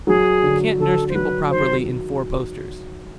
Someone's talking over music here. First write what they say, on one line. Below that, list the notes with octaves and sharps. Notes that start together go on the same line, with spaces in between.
You can't nurse people properly in four-posters.
F#3 G#4
D3
D3 A4
C5
F#3 B4
D#3 C5